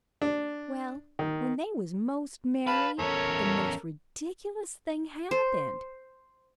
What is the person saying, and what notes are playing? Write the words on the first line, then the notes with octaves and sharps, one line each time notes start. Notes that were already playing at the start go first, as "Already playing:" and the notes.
Well, when they was most married the most ridiculous thing happened.
D4
D#3
B4 F5 A5 B5
E2 C#4 A4 A#4 C#5
C5